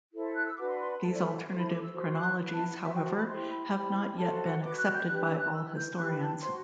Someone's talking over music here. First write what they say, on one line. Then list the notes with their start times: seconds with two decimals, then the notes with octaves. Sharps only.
These alternative chronologies, however, have not yet been accepted by all historians.
0.12 E4 A4 C5
0.35 F#6
0.46 E6
0.57 D4 F#4 B4 D6
0.68 C6
0.80 C6
0.91 B5
1.02 E4 A4 C5 A5
1.14 D5
1.25 E5
1.36 F#5
1.47 E4 A4 C5
1.59 B5
1.70 D6
1.81 E6
1.92 F#4 C5
2.15 F#6
2.38 E4 B4
2.52 A5
2.67 F#5
2.82 F#4 C5 E5
2.94 G5
3.04 A5
3.16 B5
3.28 E4 G4 C5 C6
3.50 B5
3.73 E4 G4 C5
4.17 F#4 A4 C5 A5
4.40 F#5
4.63 F#4 B4 D6
4.77 F#6
4.92 G6
5.08 D4 G4 B4 F#6
5.22 F#6
5.33 E6
5.38 F#6
5.53 E4 B4 E6
5.75 G6
5.97 E4 G4 B4 F#6
6.09 B5
6.21 A5
6.42 F#4 C5 C6